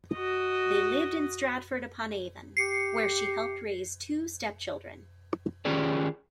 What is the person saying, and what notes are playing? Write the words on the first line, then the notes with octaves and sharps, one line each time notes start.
They lived in Stratford-upon-Avon, where she helped raise two stepchildren.
F#4 D#5
G4 C7 C#7
D#3 C#4 F4 G4 G#4 D5